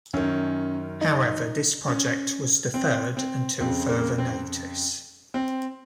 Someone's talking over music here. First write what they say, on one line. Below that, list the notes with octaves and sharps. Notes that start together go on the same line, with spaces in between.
However this project was deferred until further notice.
F#2 D#3 C#4
D#4
C#4
C4
C4
F2 C#3 C4
A#3
C4
C4